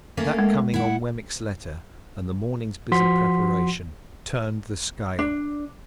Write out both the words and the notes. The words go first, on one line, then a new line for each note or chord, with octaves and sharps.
That, coming on Wemmick's letter and the morning's busy preparation, turned the scale.
A3 A#3 C#4
G#3
E4 F#5
F3 F#4 F#5 C6 B6
D4